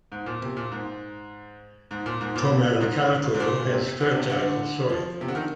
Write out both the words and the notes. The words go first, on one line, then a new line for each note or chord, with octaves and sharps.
Comalcalco has fertile soil.
G#2
A#2
C3
A#2
G#2
G#2
A#2
G#2
A#2
C3
G#2
G#2
A#2
C3
D3
C3
D3
F3
C3
D3
D#3